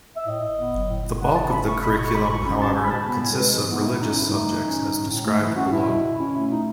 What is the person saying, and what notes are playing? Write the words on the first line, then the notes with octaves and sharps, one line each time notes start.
The bulk of the curriculum, however, consists of religious subjects as described below.
E5
A2 D#5
A2
B3
F#3
A2
A2
B2 F#5
B2 A5
C#4 B5
A3 C#6
B2 B5
B2 C#6
C#6
B2 B5
B2 C#6
C#4 B5
G#3 A5
B2 G#5
B5
B2 A5
B3 B5
A2 G#5
A4
G#3 B4
E3
B3 E4
D#4
A2 E4
C#4 D#4
G#2 E4
A3 D#4
E3
C#4
G#2
C#4
A2
A3
E3 E4
C#4 F#4
A2 E4
B2
B2
C#4
A3 E4
B2 D#4